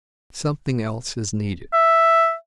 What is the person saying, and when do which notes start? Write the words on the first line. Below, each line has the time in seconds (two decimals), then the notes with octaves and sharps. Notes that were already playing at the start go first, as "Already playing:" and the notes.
Something else is needed.
1.73 E5